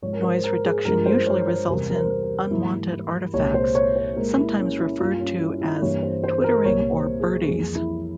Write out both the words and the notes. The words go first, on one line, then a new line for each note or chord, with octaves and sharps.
Noise reduction usually results in unwanted artifacts, sometimes referred to as "twittering" or "birdies".
G#2 F3 G#3 C#5
A#4
C5
A#4
G#4
G2 F3 G#3 A#4
C5
C#5
C5
E2 C3 G3 A#4
A#4
C5
A#4
G#2 E3 G3 A#3 E4
C2 A#2 G#3 C#5
C5
C#5
C5
A#2 G#3 A#4
E4
C#4
E4
G2 G3 A#3 F4
C#4
E4
E4
G2 E3 G3 A#3 C#5
C5
C5
A#4
C2 A#2 G3 A#3 C#5
C5
G#4
F2 E3 G3 A#3 G#4
E4